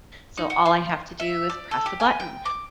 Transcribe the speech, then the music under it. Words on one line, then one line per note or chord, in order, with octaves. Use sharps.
so all I have to do is press a button,
D#4
F#4
F4
E5
D5
A4
G4
G#5
G5
D6